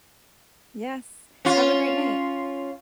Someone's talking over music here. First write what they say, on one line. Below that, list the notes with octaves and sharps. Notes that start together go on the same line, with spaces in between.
Yes. Have a great night.
C#4 F4